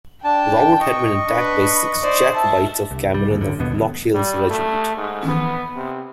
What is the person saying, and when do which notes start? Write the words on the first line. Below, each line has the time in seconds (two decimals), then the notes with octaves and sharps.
Robert had been attacked by six Jacobites of Cameron of Lochiel's regiment.
0.24 D4 G5 A5
0.80 D#5 C#6
1.26 D4 B4
2.02 C5 D5
2.35 E5 A5
2.91 C2
3.14 C2 G3
3.29 D1 D#2
3.41 D1 F#2 D3
3.59 G1 D#2 B2 B3
3.72 D1 A1
4.14 G3
4.50 A3
4.97 G#2
5.27 B3
5.76 C3